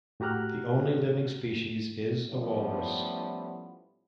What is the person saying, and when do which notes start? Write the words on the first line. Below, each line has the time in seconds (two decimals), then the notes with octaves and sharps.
The only living species is the walrus.
0.20 A2 F#4 G4 A#5 F6 F#6
2.30 A2 F3 G3 B3 C#4 E4